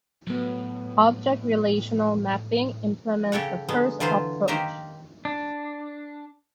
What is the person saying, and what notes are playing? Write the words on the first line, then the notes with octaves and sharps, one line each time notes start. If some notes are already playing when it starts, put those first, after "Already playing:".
Object-relational mapping implements the first approach.
A2 F#3 B3
C#3 G4 A4 C#5 F#5
D3 F#3 G#3 B3
D3 E3 F#3 F4 C5
D#3 A#3 G4 C5 E5 A#5
D4